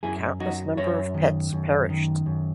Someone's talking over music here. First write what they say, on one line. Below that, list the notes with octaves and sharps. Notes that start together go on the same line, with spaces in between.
Countless number of pets perished.
F#2 E4 G#4
F#3 D#4 F#4
F#2 C#5 E5
D#3
F#2
D#3
F#2